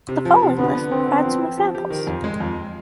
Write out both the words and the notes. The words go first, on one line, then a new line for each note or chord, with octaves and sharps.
The following list provides some examples.
C3
F3
C3
D3 B3
B3
D3 C4
B3
F3
C4
F3
G4
D#3
F2
G#3
F2